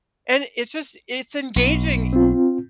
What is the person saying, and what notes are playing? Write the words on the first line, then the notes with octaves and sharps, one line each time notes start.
And it's just it's engaging,
B1
C4 F4